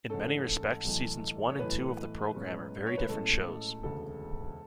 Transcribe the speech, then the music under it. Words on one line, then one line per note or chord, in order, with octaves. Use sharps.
In many respects seasons one and two of the program are very different shows.
G#2 E3 A3 C#4 A4
B1 A2 E3 A3
C#5
B1 A2 E3 A3 B4
B1 A2 G#3 C#4
C#5
B4
B1 A2 G#3 C#4 A4
E1 D2 C#3 A4